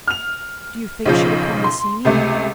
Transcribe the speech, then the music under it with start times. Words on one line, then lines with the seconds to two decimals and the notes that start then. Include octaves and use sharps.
"Do you think she would come and see me?"
0.08 F6 F7
1.06 B1 C#3 F3
1.64 C6
2.05 C#2 C3 A3